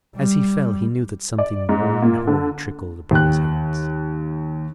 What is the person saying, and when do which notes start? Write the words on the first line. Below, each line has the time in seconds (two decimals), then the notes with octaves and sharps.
As he fell he knew that something warm and horrid trickled upon his hands.
0.16 G3
1.38 D5
1.69 G#2
2.02 A#2
2.27 D3
3.11 D#2 G5 F#6